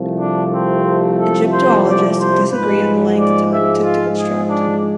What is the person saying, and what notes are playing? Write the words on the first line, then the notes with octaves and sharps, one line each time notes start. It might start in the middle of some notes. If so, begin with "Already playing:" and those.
Egyptologists disagree on the length of time it took to construct.
Already playing: C2 C3 F3 A3
D4
C4
A4
C5
D5
C5
G#2 F3 G#3 B4
D5
E5
F4
G#4
D4